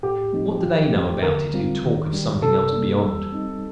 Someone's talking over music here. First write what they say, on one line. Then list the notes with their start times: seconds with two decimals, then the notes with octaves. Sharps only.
What do they know about it who talk of something else beyond?
0.03 A2 G4
0.33 F3 A3 C4 D#4
0.63 F3
0.93 A3 D4 G4
1.22 D3 A#4
1.53 G3 C4 F4
1.82 D#3
2.13 G3 D4 G4
2.42 C3 A4
2.72 G3 A#3 D4
3.02 G3
3.32 C4 D#4